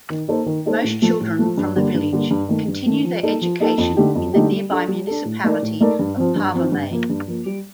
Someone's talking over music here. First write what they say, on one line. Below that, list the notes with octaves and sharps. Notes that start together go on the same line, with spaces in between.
Most children from the village continue their education in the nearby Municipality of Parvomay.
D#3
A#3 D#4 A4 C5
D#3
A#3 D#4 A4 C5
A2
F3 A3
A2
F3 A3
G2
D3 G3 A#3
G2
D3 G3 A#3
G2
D#3 A3
G2
D#3 A3
F3
A#3 D#4 A4
F3
A#3 D#4 A4
F2
D3 A3 D#4 G4
F2
D3 A3 D#4 G4
G3
D4 A4
G3
D4 A4
A2
A3 D#4 A#4 D5
A2
A3 D#4 A#4 D5
G2
F3 C4
G2
F3 C4
G2
F3 A#3
G2
F3 A#3
G3